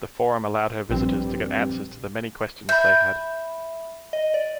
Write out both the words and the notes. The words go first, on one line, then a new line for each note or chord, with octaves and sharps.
The forum allowed her visitors to get answers to the many questions they had.
A#1 G2 G3 C4
E5 B5 G6
D#5
D5